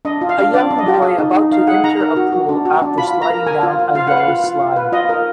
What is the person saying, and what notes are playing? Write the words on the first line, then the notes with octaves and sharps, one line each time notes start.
A young boy about to enter a pool after sliding down a yellow slide.
D4 D#5
F4
F5
D4
D4 D5
D4
D#5
F4
G#4
D#4
D#4
D#4 F5
G#4 F#5
D#4 A#5
A#4
F#4
F#4
D4
F#4
D4
F4 B5
F4
A#5
A#4
A#4 G#5
F4
F4
F4 F5
B4 F#5
F5
F4
F4
F4
B4
F4 D#5
A#4